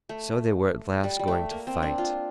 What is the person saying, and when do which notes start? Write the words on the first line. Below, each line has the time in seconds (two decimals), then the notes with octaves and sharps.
So they were at last going to fight.
0.09 A3
1.04 G3
1.19 G3
1.28 A3
1.51 A#3
1.67 C4
1.83 D4
1.98 F4